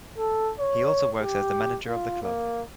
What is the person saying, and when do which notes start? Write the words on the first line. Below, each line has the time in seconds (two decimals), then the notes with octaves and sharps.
He also works as the manager of the club.
0.18 A4
0.59 C#5
1.21 G4
1.87 F4
2.22 A#3